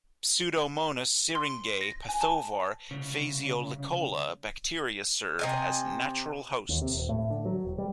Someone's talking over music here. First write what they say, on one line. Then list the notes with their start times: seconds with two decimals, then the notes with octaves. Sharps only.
Pseudomonas syringae pathovar "phaseolicola" bacteria serve as natural hosts.
1.35 C6
1.81 A#6
2.09 G#5
2.21 A5
2.91 C2 C#3
5.39 C3 D#5 G#5
6.69 D#2
6.82 C3
6.95 D#1
7.09 A2
7.30 D3
7.45 F#3
7.65 E1
7.78 G3